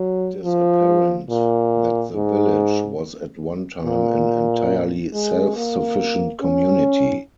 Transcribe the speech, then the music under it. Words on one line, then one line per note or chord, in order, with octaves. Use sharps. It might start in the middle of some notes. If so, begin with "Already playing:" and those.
It is apparent that the village was at one time an entirely self-sufficient community.
Already playing: F#3
F3
A#2
G#2
A#2
G#3
A#3
C#4